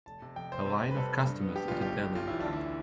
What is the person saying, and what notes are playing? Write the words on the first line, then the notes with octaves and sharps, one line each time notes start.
A line of customers at a deli.
F1 A5
C3
F2 G5
F1 C5
C3
C3
B4
G3 A4
B3
G2
B3
B3 G4
G1 F4
B1 G4
B1
B1 F4
E3 E4
D4
D2
E4